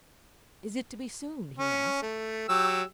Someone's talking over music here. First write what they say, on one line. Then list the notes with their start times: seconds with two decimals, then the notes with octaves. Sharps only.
"Is it to be soon?" he asked.
1.59 C#4
2.02 A3
2.49 F#3 G4 E6